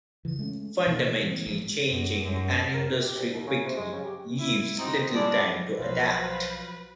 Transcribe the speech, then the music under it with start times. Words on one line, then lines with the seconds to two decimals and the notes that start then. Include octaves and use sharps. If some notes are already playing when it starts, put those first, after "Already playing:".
Fundamentally changing an industry quickly, leaves little time to adapt.
0.25 C#3 E3
0.39 G#3 A3 C4 C#4
0.87 B2 A#3
1.23 E3 A#3 C4
1.47 A1 F3 A3
1.89 F#2
2.23 F#2
2.74 A#4
2.90 C3
3.02 G4
3.16 C2
3.33 D#2
3.47 C#3
3.65 C3
3.77 G#3
3.93 C#3
4.05 G4
4.39 E4
4.78 C4 D#4 F#4
5.14 G3 G#3 D4 E4 D5
5.80 B1 F3 F#3 B4 C5 F5